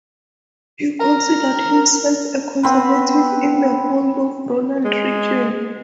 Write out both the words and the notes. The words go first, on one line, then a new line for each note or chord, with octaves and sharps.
He considered himself a conservative in the mold of Ronald Reagan.
A#4
B3 C4 B4
G#3